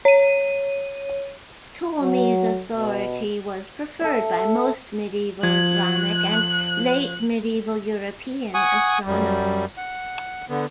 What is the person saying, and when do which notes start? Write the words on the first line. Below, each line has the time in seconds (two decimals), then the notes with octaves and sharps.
Ptolemy's authority was preferred by most medieval Islamic and late medieval European astronomers.
0.05 C#5 D#7
2.01 F#3
2.74 B2
4.01 A4 E5
5.43 F3 F#6 G#6
8.54 F#5 G#5 C#6 D#6
9.07 F#2 G3
9.77 F#5
10.50 D3 B3